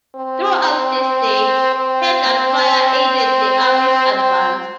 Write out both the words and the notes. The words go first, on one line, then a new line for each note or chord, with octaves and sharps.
Throughout this day, her gunfire aided the Army's advance.
C4
C4
C4